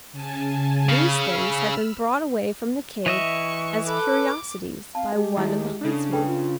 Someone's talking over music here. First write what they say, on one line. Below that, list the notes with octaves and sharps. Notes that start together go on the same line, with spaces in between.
These things had been brought away from the cave as curiosities by one of the huntsmen.
C#3 G#5 A5
C#3 B5 E6 F6
E3 D#5 E5 C#6
A4 B4 D6
C4 F5 A5
G#3 G4 D#5
D#2 E4 E5 D#6
C#3 D4 A4
G#4 A4 B4 G5
F4